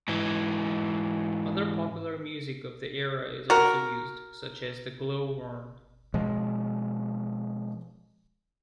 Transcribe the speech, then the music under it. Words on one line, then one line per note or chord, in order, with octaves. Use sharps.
Other popular music of the era is also used, such as The Glow-Worm.
G#2 E3
F#4 A#4
B2 F3 G#3